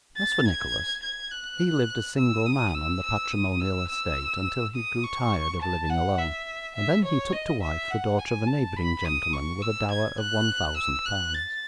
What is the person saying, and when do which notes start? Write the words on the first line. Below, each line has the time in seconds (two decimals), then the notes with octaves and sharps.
As for Nicholas, he lived a single man on the patrimonial estate until he grew tired of living alone, and then he took to wife the daughter of a neighbouring gentleman with a dower of one thousand pounds.
0.17 A6
0.45 G#6
1.03 G#6
1.31 F#6
2.18 E6
2.46 D#6
2.75 E6
3.04 E6
3.32 D#6
3.60 E6
3.89 E6
4.75 D#6
5.04 C#6
5.62 A5
5.90 F#5
6.19 E5
6.75 E5
7.04 C#5
7.33 D#5
7.62 E5
7.90 F#5
8.19 G#5
8.47 A5
8.76 B5
9.05 D#6
9.33 C#6
9.62 E6
9.91 G#6
10.20 F#6
10.77 E6
11.05 F#6
11.35 A6